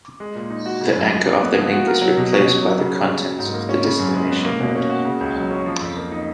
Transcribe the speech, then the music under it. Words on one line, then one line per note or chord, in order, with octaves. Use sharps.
The anchor of the link is replaced by the contents of the destination node.
G#3
A#2
D#4
F#4
C#3
F#2
F3
A#3
B3
F3
F#4
A#4
F#3
B2
C#4
B2
F#3
C#3
C#4
C#3
F#3
G#2
A#3
C#4
C#3
F#2
G#3
B3
A#3
B2
C#4
F#4
C#3
C#2
F#3
C#4
F3
F2
A#3
D#4